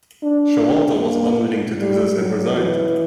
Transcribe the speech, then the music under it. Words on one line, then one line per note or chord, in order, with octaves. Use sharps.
Showalter was unwilling to do this and resigned.
D4
D4
A#3
G3
F#3
E3